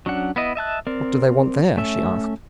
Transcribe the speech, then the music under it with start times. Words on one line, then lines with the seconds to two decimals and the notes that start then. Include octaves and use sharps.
"What do they want there?" she asked.
0.06 F#3 C#4 D4 F#5
0.36 B3 E4 D#5
0.55 D#5 E5 A5 F#6
0.87 C4 A#4 D5
1.77 A3 C#4 E5